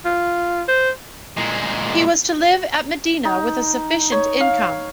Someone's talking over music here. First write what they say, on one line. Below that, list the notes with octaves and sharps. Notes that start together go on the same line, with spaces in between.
He was to live at Medina with a sufficient income.
F4
C5
A#2 G#3
D#4
C#5
F5